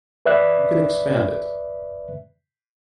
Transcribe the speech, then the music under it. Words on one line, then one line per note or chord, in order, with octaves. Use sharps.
You can expand it.
B4 D5 E5 F#6